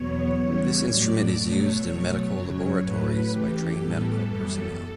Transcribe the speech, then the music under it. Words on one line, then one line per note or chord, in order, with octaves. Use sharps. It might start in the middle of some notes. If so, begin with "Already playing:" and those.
This instrument is used in medical laboratories by trained medical personnel.
Already playing: E2 B2 F#3 B3 C#5
C#3 E3 G3 B3
A2 F#3 A3 D5
B2 F#3 A3 C#5
B2 F#3 A3
F#2 C#3 F#3
A2 F#3 A3 B4
C#3 E3 A3 G4
A2 E3 G3 B3 A4
F#2 E3 G3 B3